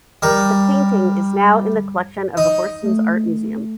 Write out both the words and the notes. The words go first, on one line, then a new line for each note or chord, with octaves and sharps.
The painting is now in the collection of the Horsens Art Museum.
G3 A#4
D#4
A3